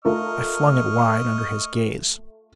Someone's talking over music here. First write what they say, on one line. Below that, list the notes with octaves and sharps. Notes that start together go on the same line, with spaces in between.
I flung it wide under his gaze.
A3 F4 A#4 D#5 C#6 F6